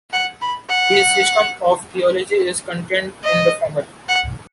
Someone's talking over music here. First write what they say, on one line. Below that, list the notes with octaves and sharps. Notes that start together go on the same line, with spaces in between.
His system of theology is contained in the former.
F#5
B5
F#5
D#5
F#5